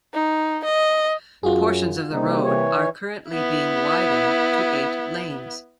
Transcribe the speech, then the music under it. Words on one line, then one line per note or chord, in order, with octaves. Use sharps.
Portions of the road are currently being widened to eight lanes.
D#4
D#5
F#2 F4 F#4 G#4
C3 G3 A#3 D#4
E3 C#5
B3 E4